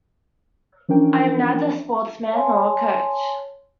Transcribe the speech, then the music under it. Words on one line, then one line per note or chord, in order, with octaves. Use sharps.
I am neither a sportsman nor a coach.
E3 F3 C#4 D4 A#4 G5
C#5 G#5 A5 C6